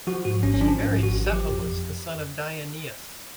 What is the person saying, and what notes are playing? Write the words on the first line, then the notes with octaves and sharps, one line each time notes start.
She married Cephalus, the son of Deioneus.
F3 F#4
G#2 F#4
G#1 C#4
C#4
F3 D4
G#2 C#4
G#1
F#4
G#1
G4
F3
F2